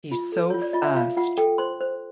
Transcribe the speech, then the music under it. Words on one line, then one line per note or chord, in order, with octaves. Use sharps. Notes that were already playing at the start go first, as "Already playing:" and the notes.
He's so fast.
F4
A4
F4 C#5
D5
F4 D#5
E5
F4 F5
F4 F#5
A4 G5
C5 C6
C5